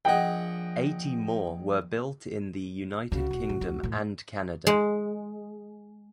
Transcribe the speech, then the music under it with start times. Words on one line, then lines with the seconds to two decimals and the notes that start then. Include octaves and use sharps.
Eighty more were built in the United Kingdom and Canada.
0.05 A#1 G#4 D#5 F#5 G5
3.12 C#2 C#3 F#4
3.31 E1
3.49 A2
3.61 D2
3.83 E2 A2
4.67 G#3